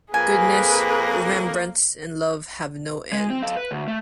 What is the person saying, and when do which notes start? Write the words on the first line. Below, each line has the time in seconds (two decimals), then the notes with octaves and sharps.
Goodness, remembrance, and love have no end.
0.14 F2 A#3 G#4 B4 G#5
3.12 G#3
3.30 C4
3.43 A4 F5
3.57 B4
3.71 D2
3.88 A3